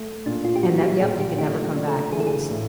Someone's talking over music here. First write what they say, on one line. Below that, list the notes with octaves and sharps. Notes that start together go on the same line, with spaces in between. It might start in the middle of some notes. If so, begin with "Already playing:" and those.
And that yep, you can never come back. You would s
Already playing: A3
A#2 D4
F4
G4
F#3 F#4
G4
A#2 G#4
G4
A3 G4
D4
A4
E3 G#4
A4
G#4
A2